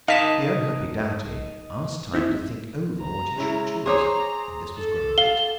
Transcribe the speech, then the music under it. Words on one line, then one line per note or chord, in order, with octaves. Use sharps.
The unhappy Doughty asked time to think over what he should choose, and this was granted.
D#4 A#4 D#5 F5 A5 B6 E7
C4 D#4 E4
A#5
G#3 C#4 E4
G#4 C5 C#5 A#5 C6 D6 D#6
A4
F5 G7